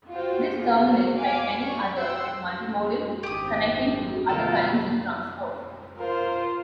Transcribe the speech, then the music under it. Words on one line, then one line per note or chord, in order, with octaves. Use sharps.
This terminal, like many others, is multimodal, connecting to other kinds of transport.
F4 F#4 C5 G5
F4 G4 G#4
F#4 A#4 C5 A#5
F5 G#5 D6
D5 C#6
F#5 G5 C6 E6
G#1 C4 G4 D#6
D2 B2 F3 F4 A4 A#4
F4 A#4 C5